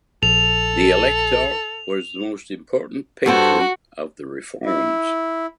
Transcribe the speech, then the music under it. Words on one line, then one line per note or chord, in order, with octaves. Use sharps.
The Elector was the most important patron of the reforms.
A#1 A4 F7
G2 F#4 A4 C5
E4